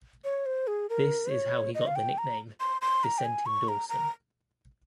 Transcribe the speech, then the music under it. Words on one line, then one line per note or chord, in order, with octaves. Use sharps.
This is how he got the nickname "Dissenting Dawson".
C#5
C5
G#4
A#4
C#5
D#5
F5
G5
A#5
C6
C6
A#5
G5
G#5
C#6
A#5
A#5